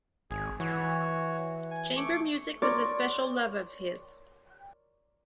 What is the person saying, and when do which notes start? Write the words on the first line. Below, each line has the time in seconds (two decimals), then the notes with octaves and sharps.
Chamber music was a special love of his.
0.31 G#1 G#4
0.60 E3 F#4 C#5
1.71 G#5
1.97 A3 C#6 D6
2.62 A#4 C#5 D5 C6 D6